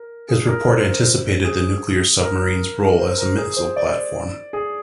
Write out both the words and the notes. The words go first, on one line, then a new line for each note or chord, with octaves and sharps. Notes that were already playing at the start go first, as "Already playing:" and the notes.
His report anticipated the nuclear submarine's role as a missile platform.
Already playing: A#4
G#4
A#4
C5
G#4
A#4
C5
A#4
G#4
C5
D5
G#4